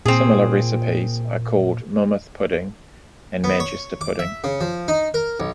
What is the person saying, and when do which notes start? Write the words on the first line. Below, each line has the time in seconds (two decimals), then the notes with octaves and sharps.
Similar recipes are called Monmouth Pudding and Manchester Pudding.
0.06 A#2 C4 G#4
3.44 B3
3.60 C#5
4.01 D6
4.19 E5
4.44 C#3
4.61 F3
4.88 D#4
5.14 A#4
5.40 B1